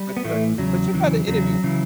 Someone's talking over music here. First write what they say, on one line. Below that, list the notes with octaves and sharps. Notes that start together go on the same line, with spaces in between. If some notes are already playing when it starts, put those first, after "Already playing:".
But but but check out the interview.
Already playing: G3
B3
A2 E3 A3
E2 C#3 F#3
E2 C#3 E3
E2 C#3 F#3
C#3 E3